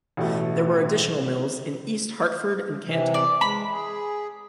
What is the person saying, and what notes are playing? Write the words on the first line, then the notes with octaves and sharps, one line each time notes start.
There were additional mills in East Hartford and Canton.
A1 B2 A3
C3 E3
D5
G#3 B5
G#4